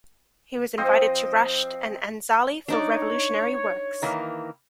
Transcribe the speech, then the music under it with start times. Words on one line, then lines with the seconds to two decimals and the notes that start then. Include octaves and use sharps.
He was invited to Rasht and Anzali for revolutionary works.
0.78 F3 C4 C5 D#5
2.68 D4 D#4 C#5 D5
4.02 D#3 E3 A#3